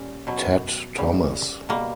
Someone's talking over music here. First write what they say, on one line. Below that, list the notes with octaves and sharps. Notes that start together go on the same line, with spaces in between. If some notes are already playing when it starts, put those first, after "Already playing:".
Ted Thomas.
Already playing: A#2 G3 C#4
B2 F#3
C#3 G3
B2 G3 A#3